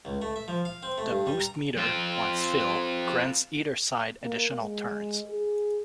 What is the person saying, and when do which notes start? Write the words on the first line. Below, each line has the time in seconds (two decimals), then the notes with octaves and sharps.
The Boost meter, once filled, grants either side additional turns.
0.05 C#2
0.22 A3
0.36 E5
0.48 F3
0.65 F5
0.83 C4
0.98 A3
1.10 G2
1.27 G3
1.40 A#5
1.77 C4 F4
4.23 A#3
4.58 G#3
5.26 G#4